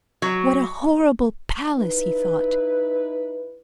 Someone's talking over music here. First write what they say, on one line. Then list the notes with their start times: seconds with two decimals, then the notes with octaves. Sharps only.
What a horrible palace! he thought.
0.22 F#3
1.76 D#4 E4 B4